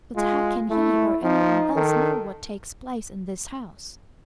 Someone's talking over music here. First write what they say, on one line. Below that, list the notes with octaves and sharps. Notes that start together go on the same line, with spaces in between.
But how can he or any one else know what takes place in this house?
G#3 F4
A3 E4
F3 D#4
D#3 A4